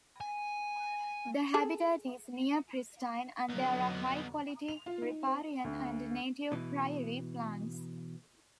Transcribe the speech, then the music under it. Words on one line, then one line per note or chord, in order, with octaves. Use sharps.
The habitat is near-pristine and there are high-quality riparian and native prairie plants.
G#5
G#4 A4
F2 D3 F#3 B3 D#4
F7
F4
D#4
C4
D2
B2 E3